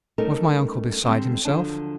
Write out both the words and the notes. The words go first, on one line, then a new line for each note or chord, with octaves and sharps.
Was my uncle beside himself?
G3 A3 C#4 D#4 A4 A#4
D3 G3 G#3 C4
D#2 D3 F3 F#3 D4 A5